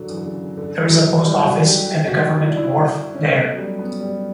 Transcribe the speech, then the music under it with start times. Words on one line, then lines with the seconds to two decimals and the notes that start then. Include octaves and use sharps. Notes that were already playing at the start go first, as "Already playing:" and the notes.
There is a post office and a government wharf there.
Already playing: D3 F#3
0.09 E3
0.17 D3
0.26 C#3
0.57 D3
0.85 F#3
0.90 E3
1.22 G3
1.43 F#4
1.65 G4
1.86 G4
2.07 F#4
2.29 F#4
2.38 E4
2.48 D4
2.57 E4
3.15 C#4
3.30 A3
3.36 B3
3.51 F#3
3.57 G3
3.79 B3
4.00 G3